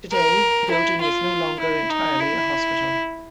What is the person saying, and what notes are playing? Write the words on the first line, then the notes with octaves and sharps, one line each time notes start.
Today, the building is no longer entirely a hospital.
A#4
E4
F4
E4
D#4
E4